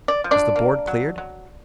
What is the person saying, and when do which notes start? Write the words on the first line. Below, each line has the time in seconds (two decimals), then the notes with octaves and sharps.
"Is the board cleared?"
0.08 D5
0.24 F3
0.31 D4 D5
0.56 A#3
0.87 F#3
1.18 F#3